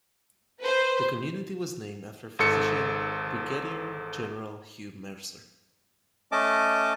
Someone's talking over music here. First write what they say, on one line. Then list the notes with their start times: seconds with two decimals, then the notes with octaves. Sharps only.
The community was named after physician Brigadier General Hugh Mercer.
0.61 B4 C5
2.39 G#1 G#2 A4 C#7
6.32 A3 C#4 D#5 A5 D6